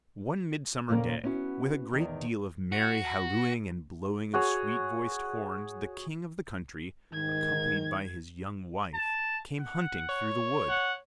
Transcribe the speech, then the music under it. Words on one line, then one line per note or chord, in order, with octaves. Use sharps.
One midsummer day, with a great deal of merry hallooing and blowing of sweet-voiced horns, the King of the country, accompanied by his young wife, came hunting through the wood.
F2 A#2 C#3 A3 A#3 C#4
B3 C#4 E4 F#4
E2 D#3
F#4
F#4 G#4 C#5
G#2 D#3 G#6
A5
F#5
C#5
F#5